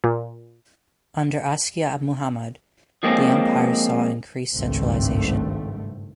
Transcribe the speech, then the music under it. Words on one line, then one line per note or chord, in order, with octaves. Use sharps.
Under Askia Muhammad, the Empire saw increased centralization.
A#2
F3 G#3 A#3 C4 C#4
G#1 C#2 G2 A3 C4